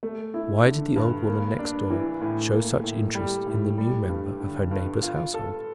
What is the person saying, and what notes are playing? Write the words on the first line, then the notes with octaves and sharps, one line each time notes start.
Why did the old woman next door show such interest in the new member of her neighbor's household?
A3
E4
D3
G2
A#3
D4
E3
A2
A#3
A2
G3
A2
G3
G2
D3
G2
F4
A4